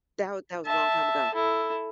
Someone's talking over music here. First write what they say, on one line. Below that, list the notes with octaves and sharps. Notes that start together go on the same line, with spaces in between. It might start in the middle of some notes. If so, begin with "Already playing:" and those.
That wa that was a long time ago.
E5 A5
E4 A4